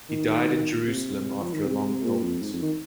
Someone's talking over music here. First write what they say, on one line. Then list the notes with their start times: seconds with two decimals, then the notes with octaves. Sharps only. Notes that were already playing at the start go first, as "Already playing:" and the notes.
He died in Jerusalem after a long illness.
0.09 D#3
0.87 C3
1.42 F3
1.53 D#3
1.65 C3
2.04 A#2
2.23 F2
2.42 G#2
2.53 F2
2.62 D#3